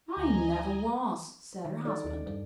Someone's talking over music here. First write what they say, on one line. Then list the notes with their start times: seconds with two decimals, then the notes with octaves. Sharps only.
"I never was," said her husband.
0.13 D2 E4 D#5 G#5 A#5 D#6
1.65 D#3
1.85 D#4 A4 D5
2.04 D#2
2.26 G2